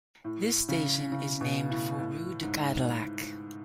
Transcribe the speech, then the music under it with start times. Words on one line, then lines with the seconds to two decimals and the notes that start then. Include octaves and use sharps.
This station is named for rue de Cadillac.
0.24 A2
0.69 C#3
1.12 C#3
1.41 B2
1.70 A2
1.98 A2
2.43 G#2